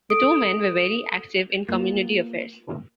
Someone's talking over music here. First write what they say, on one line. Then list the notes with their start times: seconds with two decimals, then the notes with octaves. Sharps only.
The two men were very active in community affairs.
0.10 A4 D#6 D7
1.68 A#3 B3 F4